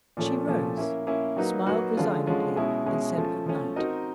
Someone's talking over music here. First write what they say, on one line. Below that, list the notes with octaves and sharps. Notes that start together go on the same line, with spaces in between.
She rose, smiled resignedly, and said, "Good-night."
A#2 F3 A3 C#4
A#2 F3 A3 C#4
A#3 C#4 E4
A#3 C#4 E4
F#3 A#3 D#4 F#4 B4
F#3 A#3 D#4 F#4 B4
D3 F3 G#3 C#4 F4
D3 F3 G#3 C#4 F4
B2 G#3 C#4 E4
B2 G#3 C#4 E4
F3 A3 C#4
F3 A3 C#4
C4 D#4 F#4 A#4 D#5